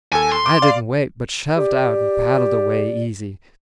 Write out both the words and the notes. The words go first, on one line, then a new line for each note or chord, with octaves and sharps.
I didn't wait, but shoved out and paddled away easy.
D#2 A4 G#5
C6
D6
D5 F5
G4 D5